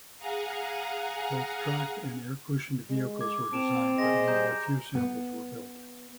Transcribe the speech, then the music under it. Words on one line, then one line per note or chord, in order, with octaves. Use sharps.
Both tracked and air-cushioned vehicles were designed, but only a few samples were built.
G#4 F5 F#5 G#5 A#5
G#3
D6 G#6
C4 A5 D7 E7 F7
G#4 C5 D#5 A#6
G3 A#5 G6
B3